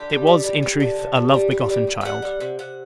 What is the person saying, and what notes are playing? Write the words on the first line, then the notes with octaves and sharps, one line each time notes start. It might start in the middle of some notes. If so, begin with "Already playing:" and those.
It was, in truth, a love-begotten child!
Already playing: D3 G4
G3
G3
G3
G3
D3
C3
C3
G3
G3
G3
G3
E5
G3 F#5
G3
C3
C3 F#5